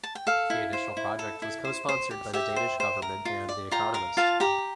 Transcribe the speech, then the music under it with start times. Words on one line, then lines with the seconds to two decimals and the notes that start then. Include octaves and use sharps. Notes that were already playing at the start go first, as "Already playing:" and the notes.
The initial project was co-sponsored by the Danish government and "The Economist".
0.03 A5
0.15 G5
0.27 A4 F5
0.50 E4
0.73 C5
0.97 E4
1.19 A4
1.42 E4
1.65 C5
1.89 C5
2.11 G4
2.33 G4 E5 G5
2.56 C5
2.80 C5
3.02 A#4
3.25 F4
3.49 D5
3.71 F4 G5 A#5
3.94 A#4 F5
4.17 F4 F5 A5
4.40 G4 G5 A#5